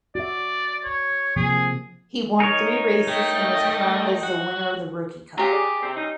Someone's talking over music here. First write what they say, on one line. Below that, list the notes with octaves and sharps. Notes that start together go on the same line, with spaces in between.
He won three races and was crowned as the winner of the rookie cup.
F#4 D5 E5
C#5
C3 F3 A#3 G#4
D#4 A#4 C#5
A3 D#5 G5
F#4
F#3 C#4 F4 G4 A#5
G#4 D5
C3 C4
G3 C#4 D#4